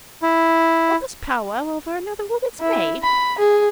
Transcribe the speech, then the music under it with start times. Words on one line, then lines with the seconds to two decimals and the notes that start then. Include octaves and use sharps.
"All this powwow over another woman's maid!"
0.22 E4
2.61 E4
3.03 B5
3.38 G#4